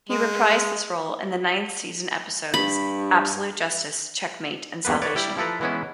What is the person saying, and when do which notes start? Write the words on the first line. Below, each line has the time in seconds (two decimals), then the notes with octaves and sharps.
He reprised this role in the ninth-season episodes "Absolute Justice", "Checkmate", and "Salvation".
0.09 G#3
2.54 G2 B5
4.85 E2 G2 A#3 B3 B4
5.02 B4 C#5 D5
5.16 G3 E4 G4
5.37 F3 E4 A4 B4 A#5
5.61 E3 G#3 B3 C#4 E4